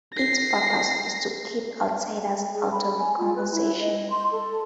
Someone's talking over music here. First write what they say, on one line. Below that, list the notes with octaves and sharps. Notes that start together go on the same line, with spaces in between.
Its purpose is to keep outsiders out of the conversation.
A#6 C7
G#4
B5
G#5
F4
B4
E4
D#5
C6
A4